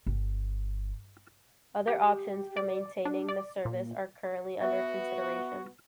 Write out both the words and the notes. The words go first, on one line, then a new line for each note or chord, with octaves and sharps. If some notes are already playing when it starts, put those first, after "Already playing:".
Other options for maintaining the service are currently under consideration.
G1
G4
D5
D4
D5
A#2
B3 F#4 E5